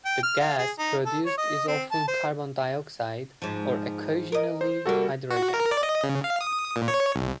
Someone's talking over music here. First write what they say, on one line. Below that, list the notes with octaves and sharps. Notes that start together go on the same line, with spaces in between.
The gas produced is often carbon dioxide, or occasionally hydrogen.
G5
F6
F5
G#4
D#4
A4
C#5
D#5
C4
A5
C5
G#2 F3
A#4 D#5
C5
C3 G3 A#3 F#4 A4
F#4
A#4
D5
D#5
C#3
F5
D#6
A#2
C#5
C2